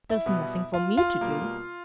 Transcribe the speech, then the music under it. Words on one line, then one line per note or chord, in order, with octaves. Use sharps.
There's nothing for me to do.
E4
B2 G3 B3
F4
F4
B2 G3 A#3